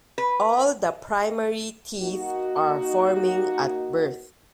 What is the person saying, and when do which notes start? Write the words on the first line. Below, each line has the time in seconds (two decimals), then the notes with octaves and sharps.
All the primary teeth are forming at birth.
0.18 B4
2.02 A#3 D#4 F#4